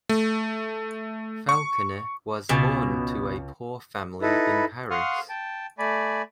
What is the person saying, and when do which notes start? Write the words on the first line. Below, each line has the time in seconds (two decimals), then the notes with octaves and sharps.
Falconet was born to a poor family in Paris.
0.09 A3
1.49 C#6
2.49 C#2 B2 G#5 A6
4.22 D#4 E4 A4 B4
4.91 F5 F#5 C6 C#6 D#6 F6
5.29 G5 A5
5.79 A3 D5 G#5 B5